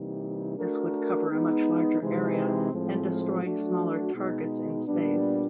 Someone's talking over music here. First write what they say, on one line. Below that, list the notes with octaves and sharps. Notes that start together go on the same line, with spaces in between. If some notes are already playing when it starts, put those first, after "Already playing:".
This would cover a much larger area, and destroy smaller targets in space.
Already playing: C3 E3 G3 A#3 D#4
A3 D4 F#4 A#4
G#3 B3 D#4
C3 E3 G#3 C4 D#4
A2 F3 G#3 C4
F#3 A3 D4 F#4
B2 G#3 B3 D#4
A#2 G3 B3 D4